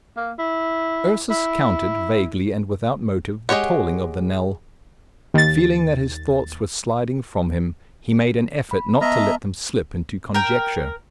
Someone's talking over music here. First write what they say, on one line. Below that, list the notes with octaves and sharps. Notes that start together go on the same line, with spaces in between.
Ursus counted, vaguely and without motive, the tolling of the knell. Feeling that his thoughts were sliding from him, he made an effort not to let them slip into conjecture.
A#3
E4
E4
G#3 G4 C#5 F#5
D#2 A6
B5
B3 D#5 E5 A5 A#5
A#4 G5